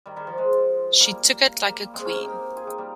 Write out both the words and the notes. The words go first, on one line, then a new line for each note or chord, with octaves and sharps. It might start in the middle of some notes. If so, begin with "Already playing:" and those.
She took it like a queen.
D#3 G3
D#3 G3
F3
F3 G#3
G3 A#3
G3 A#3
G#3 C4
A#3 C#4
C4 D#4
D#4 G4
F4 G#4
D#4 G4
G3 A#3